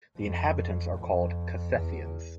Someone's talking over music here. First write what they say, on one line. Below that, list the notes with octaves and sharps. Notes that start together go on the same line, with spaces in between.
The inhabitants are called "Cassassiens".
F2
F2
E2